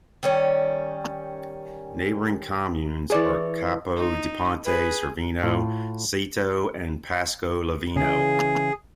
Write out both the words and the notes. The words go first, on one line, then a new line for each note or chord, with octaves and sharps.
Neighbouring communes are Capo di Ponte, Cerveno, Ceto and Paisco Loveno.
D#3 G3 C#4
E3 G#4 C#5 D5
D#4
G#4 B4
A2 F4
C#3 E3 G#4